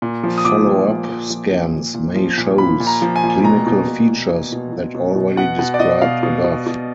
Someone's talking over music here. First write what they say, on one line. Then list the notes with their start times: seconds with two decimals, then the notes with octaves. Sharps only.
Follow up scans may shows clinical features that already described above.
0.02 A#2
0.23 F3
0.38 D#6
0.45 A#2 D6
0.67 A#2
0.87 F3
1.09 F3
1.30 F3
1.52 F3
1.73 A#2
1.94 A#2
2.15 F3
2.37 A#2
2.58 A#2 B5
2.80 A#2
2.87 A#5
3.02 F3
3.16 G#5
3.23 A#2
3.44 B2 A#5
3.67 B2
3.88 B2
4.09 B2
4.30 B2
4.52 B2
4.73 B2
4.95 B2
5.16 B2
5.37 B2 F#5
5.59 B2 F#5
5.74 D5
5.80 B2 D#5
6.02 B2 F5
6.23 B2
6.44 B2
6.66 B2